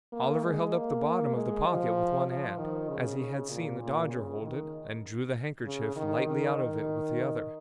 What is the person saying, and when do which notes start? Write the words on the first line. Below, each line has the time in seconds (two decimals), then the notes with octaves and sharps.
Oliver held up the bottom of the pocket with one hand, as he had seen the Dodger hold it, and drew the handkerchief lightly out of it with the other.
0.12 A#3
0.43 G#3
0.73 A#3
1.34 G#3
1.66 F3
2.27 F3
2.58 D#3
2.88 C#3
3.19 C#3
3.50 A#2
3.80 A#2
4.10 C#3
4.42 D#3
5.64 C#3
5.96 D#3
6.26 D#3
6.56 D#3